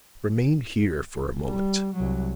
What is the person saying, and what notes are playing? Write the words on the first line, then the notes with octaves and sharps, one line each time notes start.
"Remain here for a moment."
G3
C2 F#3